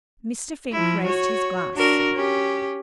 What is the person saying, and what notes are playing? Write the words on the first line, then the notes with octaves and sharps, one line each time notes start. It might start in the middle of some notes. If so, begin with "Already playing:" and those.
Mr. Fink raised his glass.
F3 E4
F#4 C#5
D4 F#4 A#4
C#4 G4